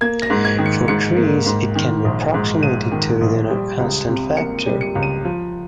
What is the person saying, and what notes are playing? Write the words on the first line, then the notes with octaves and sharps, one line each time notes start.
For trees, it can be approximated to within a constant factor.
A#3 G#6
A#6
G#2
G#6
D#3
C#7
G#2 C#7
A#3
G#2
D#3
A#1
G#2
A#1 D#7
D#3
A#1
G3
C#2
C3
A#3 C#7
D#7
G3
C#7
C#2
D#7
F3